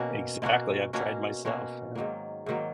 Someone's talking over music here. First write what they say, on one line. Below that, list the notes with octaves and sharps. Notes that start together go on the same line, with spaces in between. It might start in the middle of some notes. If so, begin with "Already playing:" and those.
Exactly. I've tried myself. Yeah.
Already playing: B2 A#3 C#4 F#4
B2 A#3 C#4 F#4
B2 A#3 C#4 F#4
B2 A#3 C#4 F#4
G#2 D#3 F#3 A#3
G#2 D#3 F#3 A#3